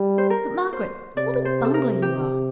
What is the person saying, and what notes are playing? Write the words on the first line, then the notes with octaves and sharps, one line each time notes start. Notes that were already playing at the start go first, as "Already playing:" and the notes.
But, Margaret, what a bungler you are!
Already playing: G3
C5
A#4
C5
C3 D5
C5
A4
A#4
G4